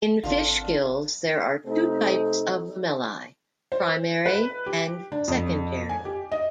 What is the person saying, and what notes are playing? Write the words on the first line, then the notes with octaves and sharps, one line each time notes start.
In fish gills there are two types of lamellae, primary and secondary.
G#1 D3 D#3 C4 D4 F4
C3 A3 C4 D#4 A4
C5
B4
G4
D4
F2
G#5
G4
D#5